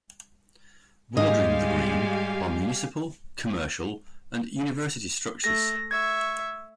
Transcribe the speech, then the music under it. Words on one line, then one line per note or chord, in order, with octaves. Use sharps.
Bordering the Green are municipal, commercial and university structures.
G#2 G3 G#3 G4 D#5 F5 G#5
A3 A#6
E5 C#6 G#6